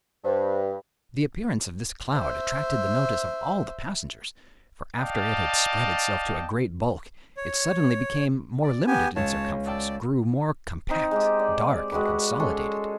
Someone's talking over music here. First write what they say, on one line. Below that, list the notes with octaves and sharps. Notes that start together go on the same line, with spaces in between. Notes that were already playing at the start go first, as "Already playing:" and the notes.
The appearance of this cloud attracted the notice of all the passengers; for after it had spread itself to a great bulk, it suddenly became more limited in circumference, grew more compact, dark, and consolidated.
G2 C5
C5 E5
D5 D#5 F5 G5 A5
C#5
D5
B3 G4 G#5
C#2 C#5 A5
D5 G5 A5 E6
C4 D#4
G#3 D#4 G4
D5
G#3 F#4 G4 B4
G#3 C#4 A4 C6